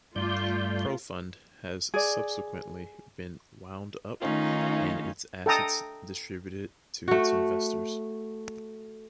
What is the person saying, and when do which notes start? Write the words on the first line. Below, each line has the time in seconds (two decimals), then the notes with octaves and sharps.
Profund has subsequently been wound up and its assets distributed to its investors.
0.16 G2 A3 F4 D5 G6
1.94 G#4 D5
4.20 D#3 A3 C#4 D#4 F4
5.46 A4 G5 A#5 D#6
7.08 A3 F#4